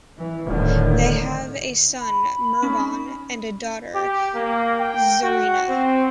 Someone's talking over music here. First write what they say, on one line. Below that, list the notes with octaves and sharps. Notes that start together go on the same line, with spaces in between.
They have a son, Mervon, and a daughter, Zarina.
E3
D#1 A2 D3 D#3
B5
C#4 D#4
G4
A#3
G5
F#4
C4